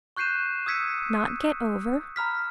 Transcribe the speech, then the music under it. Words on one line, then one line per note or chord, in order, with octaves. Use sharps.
Not get over?
C#6 F#6 G6 C7 D#7 E7
D#6 E6 G#6 B6 C#7 D#7
A#5 B5 F6 B6